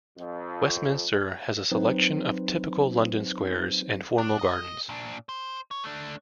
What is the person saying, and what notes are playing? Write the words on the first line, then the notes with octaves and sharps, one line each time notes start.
Westminster has a selection of typical London squares and formal gardens.
F2
F#3 C4 D#4 B4 C5
D4
D#5
A#2 D4
C5
C#5
A3 D4